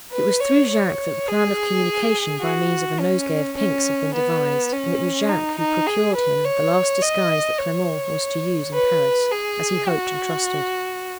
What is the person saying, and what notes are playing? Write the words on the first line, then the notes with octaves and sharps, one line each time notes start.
It was through Jacques that the plan of communication, by means of a nosegay of pinks, had been devised; and it was Jacques who procured him the last disguise that Clement was to use in Paris--as he hoped and trusted.
B4
C#5
C#5
G#4
F#4
C#4
C#4
B3
C#4
D#4
D#4
G#4
B4
C#5
D#5
C#5
B4
G#4
F#4